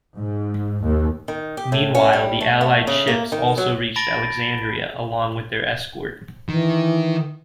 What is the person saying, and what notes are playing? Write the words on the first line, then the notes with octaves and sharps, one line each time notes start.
Meanwhile, the Allied ships also reached Alexandria along with their escort.
G#2
D#2
D#3
G4
A2
C#4
G3
A3
A3
C#3
A#3
D#3
F#3
A5 B5 A6 A#6 D7
D#3 E3